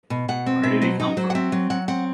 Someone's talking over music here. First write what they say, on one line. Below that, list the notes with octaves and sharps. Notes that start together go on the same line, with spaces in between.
Where did he come from?
B2
B2 F#5
C4
B2 E5
F#3 C5
F#3 D#4
F#3 C5
F#5
C4 E5
F#3
F#3 F#5
C4 F#5